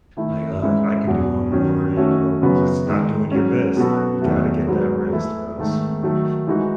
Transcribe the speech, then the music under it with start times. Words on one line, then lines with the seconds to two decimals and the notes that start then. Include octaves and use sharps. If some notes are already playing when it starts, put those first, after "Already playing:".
Like, uh, "I can do one more," you know? Just not doing your best, like, you gotta get that rest or else you
0.17 D#3 A3 E4
0.62 G#2 E3 G#3 C#4 E4
1.07 E2 B2 F#3
1.52 D#3 F#3 C#4
1.97 D#3 A3 C#4 F#4 A4
2.42 F#2 C#3 F#3 B3 F#4
2.87 D#3 G#3 D#4
3.32 G#2 F#3 C#4
3.77 B2 F#3 B3 F#4 A4
4.22 E2 D#3 F#3 A3
4.67 G#2 F#3 B3
5.12 E3 A3 E4 A4
5.58 G#2 D#3 A3
6.03 D#3 F#3 A3
6.47 E3 G#3 D#4 F#4